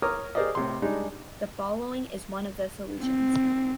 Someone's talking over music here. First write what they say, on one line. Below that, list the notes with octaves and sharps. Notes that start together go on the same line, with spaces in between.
The following is one of the solutions.
A#4 C#5 A#5 D6 D#6 F6
G4 G#4 A#4 C5 D5 D#5
A2 C3 C6
G3 G#3 D4 D#4
C4